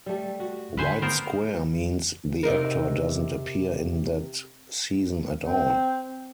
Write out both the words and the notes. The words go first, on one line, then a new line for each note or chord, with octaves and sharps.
White square means the actor doesn't appear in that season at all.
G3 A3
F#4
D3 B4 C5 G#5
B3 A#4 C5
C3 D#4 A#4
C4